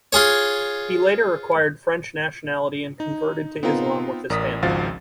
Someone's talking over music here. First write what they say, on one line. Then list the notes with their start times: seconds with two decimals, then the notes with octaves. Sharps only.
He later acquired French nationality and converted to Islam with his family.
0.13 F4 G#4 C#5
3.00 D#4
3.63 B3 C4 D#4 F4 A#4
4.30 A1 A#4 D5 D#6 B6
4.63 G#1 C#2 F3 F#4 F5 A6